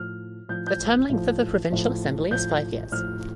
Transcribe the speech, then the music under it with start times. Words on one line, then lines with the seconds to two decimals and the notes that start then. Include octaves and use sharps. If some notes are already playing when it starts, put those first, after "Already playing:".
The term length of the provincial assembly is five years.
Already playing: A2 F3 F6
0.48 A2 F3 G6
0.67 G6
1.09 A2 F3
1.71 A2 F3
2.31 A2 F3 G6
2.92 A2 F3 F6